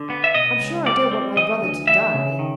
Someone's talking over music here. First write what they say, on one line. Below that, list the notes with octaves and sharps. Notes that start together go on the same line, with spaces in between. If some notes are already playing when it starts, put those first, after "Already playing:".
"I'm sure I don't want my brother to die."
Already playing: D3
B3
E5
B2 D#5
C#2
G3 D5
C4
E3 D#5
D2
E3 E5
C#3
D#3